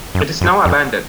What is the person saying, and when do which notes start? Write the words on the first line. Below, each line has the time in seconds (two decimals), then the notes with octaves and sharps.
It is now abandoned.
0.15 F#2
0.41 F#2
0.65 F2